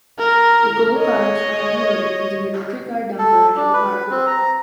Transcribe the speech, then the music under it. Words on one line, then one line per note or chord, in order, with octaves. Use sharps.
The coal cars are unloaded using a rotary car dumper at the power plant.
A#4
C#5 D#5
A4
D4
B4
C4
A#5